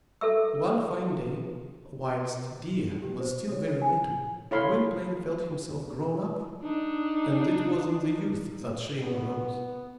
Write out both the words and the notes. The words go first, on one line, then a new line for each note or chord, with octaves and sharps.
One fine day, whilst Dea was still very little, Gwynplaine felt himself grown up, and it was in the youth that shame arose.
A4 E5 E6
G4
C5
C#5
G#5
E4 A4 C#5 F5 B5 C6
D4 D#4
B3